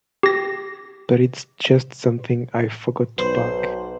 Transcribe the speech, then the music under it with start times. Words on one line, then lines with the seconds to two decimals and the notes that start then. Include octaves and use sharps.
But it's just something I forgot to pack.
0.23 G4 A#6
3.18 B1 B4 C5